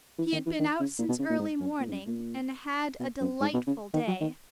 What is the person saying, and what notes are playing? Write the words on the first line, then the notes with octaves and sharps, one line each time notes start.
He had been out since early morning, and had a delightful day.
E3
D#3
E3
D#3
C#3
A#2
B2
C#3
A#2
G#2
F#2
A#2
G#2
F#2
A#2
B2
F#2
G#2
B2
C#3
D#3
F#3
D#3